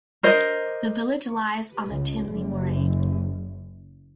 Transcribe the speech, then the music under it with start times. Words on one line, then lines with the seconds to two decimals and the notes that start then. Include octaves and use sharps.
The village lies on the Tinley Moraine.
0.23 A#4 C5 D#5
1.90 C#2
2.28 F#1